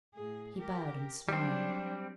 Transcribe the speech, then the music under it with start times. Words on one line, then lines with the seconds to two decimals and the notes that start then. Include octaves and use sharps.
He bowed and smiled.
0.15 A2 G#4
0.57 G4 A#4
1.29 F#3 G3 C4 D4